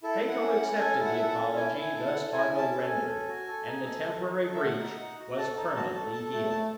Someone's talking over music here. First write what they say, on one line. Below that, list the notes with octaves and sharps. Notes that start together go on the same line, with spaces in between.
Tycho accepted the apology thus heartily rendered, and the temporary breach was permanently healed.
E4 A4
E4
F#5
C#4
F#5
C#4
A4 G#5
E4
F#5
E5
A4 F#5
A5
C#4
E4 G#5
E4
G#5
A4
F#5
E4
E4 G#5
C#4
A5
A4
G#5
C#4
A4
F#4
A4
D#4
A4
A4
D#4
A4
E5
A3 F#5
D#4
D#4
F#4
A4 A5
D#4 A5
F#4 A5
A4 A5
A4 A5
A3 A5
A3 A5